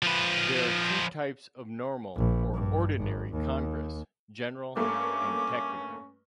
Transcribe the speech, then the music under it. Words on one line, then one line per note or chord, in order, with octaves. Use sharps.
There are two types of normal or "ordinary" congress: General and Technical.
F3 B4
A#1
G2
G#1
D#2
G2 A3 A#3 C#4 D6